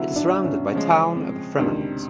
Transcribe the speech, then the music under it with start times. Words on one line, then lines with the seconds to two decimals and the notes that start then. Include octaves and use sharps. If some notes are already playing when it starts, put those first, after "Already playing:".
It is surrounded by Town of Fremont.
Already playing: D3 F#3 B3 E4
0.16 D4
0.44 C#4
0.73 C#3 F3 G#3 C#4
1.16 C4
1.59 C#2 C3 D#3 D4